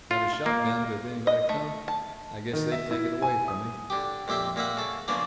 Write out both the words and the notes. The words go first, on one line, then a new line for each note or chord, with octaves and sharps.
Got a shotgun, but if anybody come, I guess they'd take it away from me.
F4
A#3
D#5
A3
A5
D#3
E5
E4
G#5
D#6
D3 G4
F2 A#2 G4 E5 C6
A#2 A#3 E5 F#5
C#3 A4
C#3 F3 A#3 B3 D4